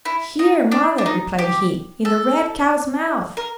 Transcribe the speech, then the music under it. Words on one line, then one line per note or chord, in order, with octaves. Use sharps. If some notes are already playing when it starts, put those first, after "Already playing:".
"Here, mother," replied he, "in the red cow's mouth."
E4
D#4
D4
D4
D#4
G4
A4
A#4